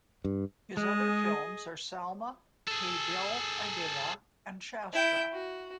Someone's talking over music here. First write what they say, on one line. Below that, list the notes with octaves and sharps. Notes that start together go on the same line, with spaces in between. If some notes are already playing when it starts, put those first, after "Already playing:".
His other films are "Salma Pe Dil Aa Gaya" and "Shastra".
G2
G#3 G#4 D#5
G#4 A4
E4 G5
F#4